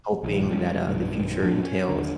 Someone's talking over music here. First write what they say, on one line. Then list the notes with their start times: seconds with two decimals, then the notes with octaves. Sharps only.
hoping that, uh, the future entails,
0.23 A#1 D#3
0.50 G3 G#3 A#3 C#4
0.88 B1 G2 D#3
1.41 A#1 F2 A2 D4
1.63 C#4
1.89 D#2 D3